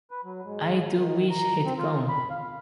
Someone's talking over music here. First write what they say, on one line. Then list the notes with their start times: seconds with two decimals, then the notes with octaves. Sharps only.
I do wish he’d come.
0.11 B4
0.25 F#3
0.43 G#2
0.94 D#3
1.30 A#5
1.65 C4
1.78 F4
2.09 B5
2.30 F5